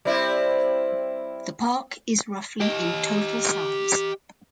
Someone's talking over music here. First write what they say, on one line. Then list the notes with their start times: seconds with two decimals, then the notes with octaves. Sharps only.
The park is roughly in total size.
0.05 G3 C4 E4
2.60 G4 D#5